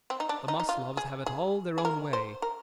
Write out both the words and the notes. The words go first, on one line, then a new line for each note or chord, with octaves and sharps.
The Maslovs have it all their own way.
C4
D#4
D4
D#4
D#4
F4
G#4
G#4
G#4
A#4
C5
A#4